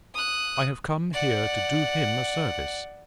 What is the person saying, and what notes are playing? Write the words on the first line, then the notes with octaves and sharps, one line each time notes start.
I have come here to do him a service.
D#6 F#6
D5 F#5